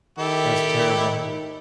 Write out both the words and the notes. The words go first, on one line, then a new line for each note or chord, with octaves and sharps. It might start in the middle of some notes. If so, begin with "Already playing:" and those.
it was terrible.
D#3 E4 G4 A4